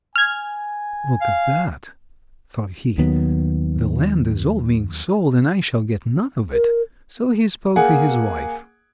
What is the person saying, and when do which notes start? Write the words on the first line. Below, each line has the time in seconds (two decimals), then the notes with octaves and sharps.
"Look at that," thought he, "the land is all being sold, and I shall get none of it." So he spoke to his wife.
0.16 G#5 F6 G#6
1.22 F5
2.98 D#2 D#3 F#3 B3
6.52 A#4
7.76 A#3 G#4 F#5